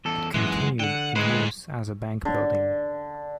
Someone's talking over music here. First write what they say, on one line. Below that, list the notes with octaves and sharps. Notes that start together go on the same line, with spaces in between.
It continued in use as a bank building.
E2 A4
F#2 E3 G#3
D3 F#5 G5
D2 G#3 G#4 B4 C5
D3